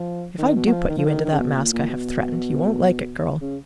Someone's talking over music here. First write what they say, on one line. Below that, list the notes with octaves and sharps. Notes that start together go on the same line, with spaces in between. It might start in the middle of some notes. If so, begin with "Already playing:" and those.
If I do put you into that mask I have threatened, you won't like it, girl.
Already playing: F3
D#3
B2
F#3
F3
D#3
F3
D#3
D#3
C#3
B2
A#2
A#2
B2
C#3